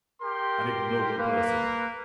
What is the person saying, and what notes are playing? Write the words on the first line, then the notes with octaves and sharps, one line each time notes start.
An ignoble person!
G4 A#4 G5 C6
A#3 B4